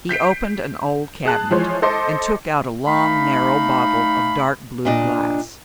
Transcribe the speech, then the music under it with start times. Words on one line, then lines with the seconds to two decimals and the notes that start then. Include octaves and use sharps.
He opened an old cabinet, and took out a long narrow bottle of dark-blue glass.
0.09 G6 B6 C7 D7
1.25 G#4 A5 F#6
1.51 E3 F3 G#3 C5 C#5
1.82 A4 C5 D#5 A5 C6 D6
2.87 A3 D#4 F5 B5
4.85 A#2 D4 D#5